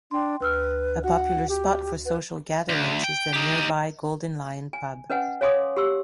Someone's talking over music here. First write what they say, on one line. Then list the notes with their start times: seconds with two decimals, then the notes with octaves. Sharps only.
A popular spot for social gatherings is the nearby Golden Lion Pub.
0.11 D4 G5 C6
0.41 D2 B4 E6 F6
1.04 F#4 F#5
1.49 G4
2.06 B4 F#5
2.69 D2
3.04 G5
3.33 D#4 G4
4.73 G#5
5.10 C#4 B4 D#5 F#5 G#5
5.41 C#5 F5 G#5 C6 D6 D#6
5.77 G4 C6 E6